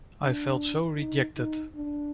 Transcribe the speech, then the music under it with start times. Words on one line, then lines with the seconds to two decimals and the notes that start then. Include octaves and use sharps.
I felt so rejected.
0.22 D4
0.98 D#4
1.37 D#4
1.76 D4